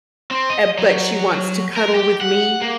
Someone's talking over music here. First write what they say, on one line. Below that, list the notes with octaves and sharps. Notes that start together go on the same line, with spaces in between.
Eh, but she wants to cuddle with me.
C4
D#5
F#3
A#4
G4
F#5
A#3